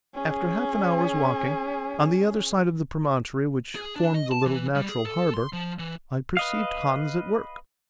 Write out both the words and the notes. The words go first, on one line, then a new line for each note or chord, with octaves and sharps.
After half an hour's walking, on the other side of the promontory which formed the little natural harbour, I perceived Hans at work.
C#4 G#4
G#4
D4
D#5
A5
E3
G3
G#4
A4
C6
F3
E3
B4 D#5 F5